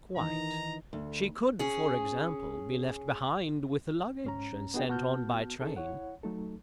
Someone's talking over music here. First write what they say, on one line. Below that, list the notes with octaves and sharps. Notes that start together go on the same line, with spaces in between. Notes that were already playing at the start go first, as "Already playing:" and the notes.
Quite. She could--for example--be left behind with the luggage and sent on by train.
D#3 E3 D#4 A#5
D2
C#4 G#4
G#2 C#4 A#5
B3 D4 F#4 G#4 D#5 G5
B3 F#4 A5 F6 G6
C#4 D#4 G#4 A4
E4 C#5 F#5
F#3 A3 D#4 A4